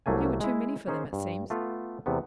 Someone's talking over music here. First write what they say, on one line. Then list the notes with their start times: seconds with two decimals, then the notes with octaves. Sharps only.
'You were too many for them, it seems.
0.06 C2 F#3 A3 A#3 G#5
0.41 G#3 E4
0.87 A#3 C#4 D#4 G#4 C5
1.13 G2
1.50 A3 B3 F4
2.06 E2 C3 A3 B3